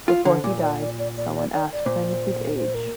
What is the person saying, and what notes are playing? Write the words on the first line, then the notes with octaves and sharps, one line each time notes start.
Before he died, someone asked him his age.
F4
D3 C5
A#2 D5
D5
D5
D5
D5
D5
D5
D5
A#2 C5
C5
A#4